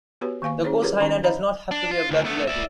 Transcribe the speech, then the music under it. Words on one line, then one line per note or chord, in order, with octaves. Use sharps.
The co-signer does not have to be a blood relative.
B3 F#4 G4 B4 C#5
D#3 A#3 F5 G#5 C#6
C#4 E4 G#4 C5 C#5
F4 G4 G#4 A#4 B4 C#5
D#3 C#4 D#4 A#5 B5
C5 C#5 D#5 F5 A#5 B5
D4
F4
D2
A3 B3
D5 E5